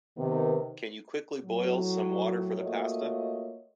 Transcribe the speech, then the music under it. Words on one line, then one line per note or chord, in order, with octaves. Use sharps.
Can you quickly boil some water for the pasta?
C3 D#3 B3
A2 F#3
A3 A#3 F4 F#4 C#5 D#5